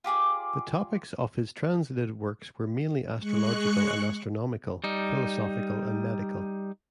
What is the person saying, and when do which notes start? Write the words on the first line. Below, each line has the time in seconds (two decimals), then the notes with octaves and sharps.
The topics of his translated works were mainly astrological and astronomical, philosophical and medical.
0.04 F4 G4 G#4 D5
3.19 G#3 C#6 F#6 C#7
4.84 G3 D#4